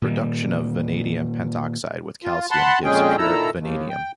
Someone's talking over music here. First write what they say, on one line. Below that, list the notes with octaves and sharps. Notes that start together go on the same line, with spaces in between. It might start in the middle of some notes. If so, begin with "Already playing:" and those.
Reduction of vanadium pentoxide with calcium gives pure vanadium.
A#2 D#3 G3
F4
F#5 A5 B5 C6
F2 A#2 G#3 C#4 G#4 G5
A#2 D#3 E4 A4 A#5 E6
D#2
G5